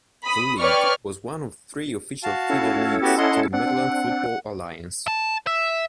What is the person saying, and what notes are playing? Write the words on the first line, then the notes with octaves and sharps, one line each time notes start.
The league was one of three official feeder leagues to the Midland Football Alliance.
B5 D#6
B4 C#5 D5 G5 C#6 F6
F#4 F5 A5
C#4 E4 A4
B3 F#4 G4
D#5 F#5 C6
C4 D4 F#5
A5
E5